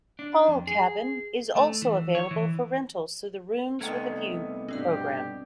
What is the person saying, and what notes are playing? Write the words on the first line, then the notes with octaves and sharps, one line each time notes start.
Hull Cabin is also available for rentals through the "Rooms with a View" program.
D4
F2
G#4
A3
E3
C#5
E3
C2 A3 B3 D#4 G5 A5 G#6
G2 B2 C4 D4 G4 D5